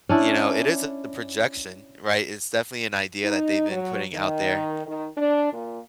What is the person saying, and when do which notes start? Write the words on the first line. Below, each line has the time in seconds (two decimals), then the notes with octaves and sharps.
you know, it is a projection, right? It's definitely an idea that they've been putting out there.
0.09 C#4 D4 E4
3.24 D#4
3.69 F#3
4.13 D#3
4.86 D#3
5.17 D4
5.53 A#2